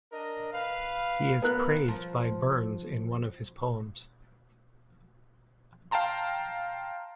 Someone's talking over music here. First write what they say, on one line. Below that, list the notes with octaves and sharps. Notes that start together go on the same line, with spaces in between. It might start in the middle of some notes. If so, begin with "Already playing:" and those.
He is praised by Burns in one of his poems.
D4 A#4 D#5
B4 F5
B3 A#4 F#6
F3 A#4
F5 G5 A5 A#5 C6